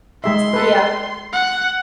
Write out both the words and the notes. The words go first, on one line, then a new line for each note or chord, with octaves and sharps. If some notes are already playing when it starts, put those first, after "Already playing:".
S yeah,
G#3 G#4 E5 C6
A4 B4
F#5